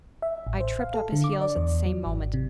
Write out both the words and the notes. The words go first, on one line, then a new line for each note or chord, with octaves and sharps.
I tripped up his heels at the same moment.
E5
A1
C5
F5
A4
D3
D6
D5
E2
F#3
G#1
C3